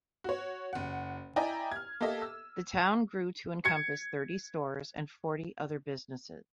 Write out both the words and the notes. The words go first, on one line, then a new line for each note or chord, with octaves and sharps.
The town grew to encompass thirty stores and forty other businesses.
F#4 C#5
F#1 F#5
E4 D5 D#5 G5 G#5 A#5
F6 G#6
A#3 G4 A4 D#5 E5
E6
G#6 C#7